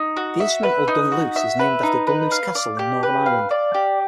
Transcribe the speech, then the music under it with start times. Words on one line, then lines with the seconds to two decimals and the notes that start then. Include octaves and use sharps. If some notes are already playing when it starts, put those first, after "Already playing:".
The instrumental "Dunluce" is named after Dunluce Castle in Northern Ireland.
Already playing: D#4
0.17 F#4
0.40 E5
0.63 B4
0.88 D#4
1.12 F#4
1.36 E5
1.59 B4
1.83 D#4
2.07 B4
2.32 F5
2.55 D5
2.79 G4
3.03 B4
3.26 F5
3.51 D5
3.74 G4